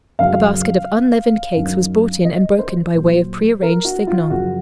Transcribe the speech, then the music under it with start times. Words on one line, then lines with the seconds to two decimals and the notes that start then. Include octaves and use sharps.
A basket of unleavened cakes was brought in and broken, by way of prearranged signal.
0.19 F#2 C#3 F#3 F5
1.56 F#2 D#3 F#3
2.24 D#5
2.59 C5
2.94 A#2 F#3
3.62 A#4
3.85 F#4
4.07 F4
4.30 F#2 C#3 F3 F#4